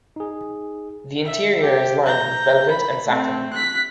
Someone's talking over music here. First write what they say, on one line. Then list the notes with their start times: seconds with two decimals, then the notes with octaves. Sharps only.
The interior is lined with velvet and satin.
0.16 D#4 G#4
1.25 E5
1.61 G4
2.06 A#5 G6
2.69 B5
3.07 A3 C4
3.53 F#6 B6